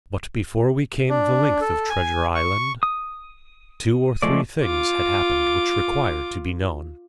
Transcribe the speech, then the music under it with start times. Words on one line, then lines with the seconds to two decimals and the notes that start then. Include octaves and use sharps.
But before we came the length of Treasure Island, two or three things had happened which require to be known.
1.09 D4
1.61 A4
1.90 G#5
2.35 C#6
2.83 D#6
4.22 F3 G#3 A3 D5
4.61 F4 D6